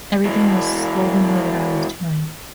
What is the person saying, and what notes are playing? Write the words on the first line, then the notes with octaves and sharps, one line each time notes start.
Everything was slovenly that I was doing.
E3 G#3